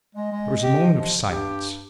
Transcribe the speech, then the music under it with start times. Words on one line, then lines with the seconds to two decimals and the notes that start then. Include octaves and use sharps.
There was a moment of silence.
0.15 G#3 D#5
0.32 G#3
0.63 G4
0.96 F3
1.30 G2 G4